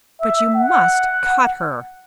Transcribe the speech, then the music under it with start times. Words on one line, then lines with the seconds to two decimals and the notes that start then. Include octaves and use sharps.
"But you must CUT her."
0.21 E5
0.55 F#5